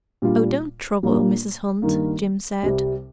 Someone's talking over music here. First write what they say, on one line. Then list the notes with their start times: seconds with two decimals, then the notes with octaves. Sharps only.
"Oh, don't trouble, Mrs. Hunt," Jim said.
0.22 A#2 G3 D4 F4
1.03 A#2 G3 A#3 D4 F4
1.82 G2 D#3 A#3
2.63 C2 C3 G3